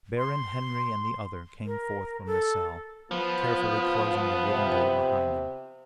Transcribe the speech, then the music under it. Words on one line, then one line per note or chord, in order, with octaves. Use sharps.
Baron Henry and the other came forth from the cell, carefully closing the wooden door behind them.
C6
A#4
A4
F3 B3 F4
C3